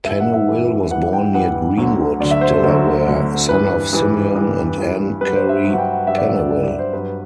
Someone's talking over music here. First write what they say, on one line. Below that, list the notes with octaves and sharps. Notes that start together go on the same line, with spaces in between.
Pennewill was born near Greenwood, Delaware, son of Simeon and Ann Curry Pennewill.
G2 E3 E5
F#5
E5
G2 E3
G2 E3 F#5
G5
G2 E3 F#5
D2 D3 F#3
D2 D3 F#3 D5
E5
C5
A4
D2 D3 F#3
D2 D3 F#3
G2 E3 B4
G2 E3
G2 E3
G2 E3
G2 F#3 B4
C5
E5
G2 F#3
F#5
G5
F#5
G2 F#3 E5
D5
E5
D5
G2 F#3 D5
D5
C5
G2 F#3 B4